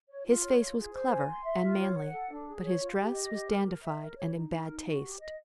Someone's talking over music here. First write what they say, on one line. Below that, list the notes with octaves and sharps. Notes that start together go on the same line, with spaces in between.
His face was clever and manly, but his dress was dandified and in bad taste.
C#5
F4
C#5
F4
G#4
C5
G#5
C6
E5
F4
C#5
F#5
A4
D4
G#4
C#5
F4
G4
D#5
G4
A#4
A#4
E5
A#4
C#5
D#4
A#4
D#4
F#4
G4
D#5